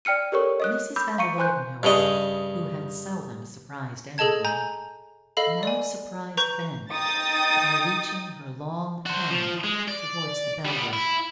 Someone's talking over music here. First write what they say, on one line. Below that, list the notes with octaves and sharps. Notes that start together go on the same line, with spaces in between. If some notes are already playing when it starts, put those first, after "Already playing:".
Mrs. van der Luyden, however, who had seldom surprised any one, now surprised them by reaching her long hand toward the bell-rope.
D5 G5 F6 C#7 D#7
G4 A4 A#4 C#5 C#6
D#5 D#6 F#6
B5 D6 E6 G6
F5 A#5 C#6 C#7 D#7
C5 G#5 C6 F#6 G6
G2 C#3 D#5
G#4 A4 D#5 A5 G#6
G#5 A#5 G6
A4 D#5 F5 B5 F#7
D5 G#5
B4 A#5 C#6 G6
D#4 G5 D#6 A6
F#4 C5
F3
G#3
D5
G3 B3
E4